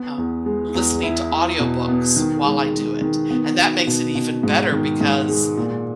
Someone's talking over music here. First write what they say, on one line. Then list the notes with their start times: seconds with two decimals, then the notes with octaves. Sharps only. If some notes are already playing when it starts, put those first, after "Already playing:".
um, listening to audiobooks while I do it, and that makes it even better because
Already playing: B3
0.18 E2
0.46 G#3
0.75 E2
1.03 E4
1.31 E4
1.59 B2
1.88 B3
2.16 D#3
2.45 G#3
2.73 G#3
3.01 D#3
3.30 B3
3.58 F#4
3.87 B2
4.15 B2
4.43 G#2
4.72 D#3
5.01 G#2
5.29 G#3
5.57 A#2